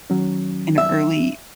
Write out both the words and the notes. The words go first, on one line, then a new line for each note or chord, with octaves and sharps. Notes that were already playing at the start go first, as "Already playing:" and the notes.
in early
D#3 F#3 C#4
E5